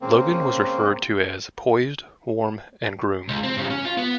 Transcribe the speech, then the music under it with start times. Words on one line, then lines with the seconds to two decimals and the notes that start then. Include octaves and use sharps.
Logan was referred to as "poised, warm and groomed".
0.02 C#3 A#3 C4
3.28 C#2
3.43 C4
3.57 G2 C#3
3.70 C#4
3.85 F4
3.97 B3